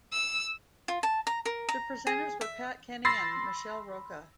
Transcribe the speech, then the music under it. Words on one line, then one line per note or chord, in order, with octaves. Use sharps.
The presenters were Pat Kenny and Michelle Rocca.
E6
F4
A5
A#5
A#4
A#5
G#4
E5
B5 C6 E6 A6 A#6 C7